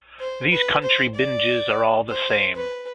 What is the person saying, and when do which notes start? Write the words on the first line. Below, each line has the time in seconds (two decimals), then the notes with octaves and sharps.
These country binges are all the same.
0.20 C5
0.52 B4
0.83 C5
1.15 D5
2.09 C5
2.55 B4